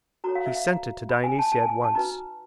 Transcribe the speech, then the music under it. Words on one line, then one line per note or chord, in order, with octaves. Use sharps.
He sent it to Dionysia at once.
F#4 A4 C#5 A#5
F5
E5
F5
A#5
B5
G#5
A5
A5
G#5
A5
D#4 F#4 B4 A#5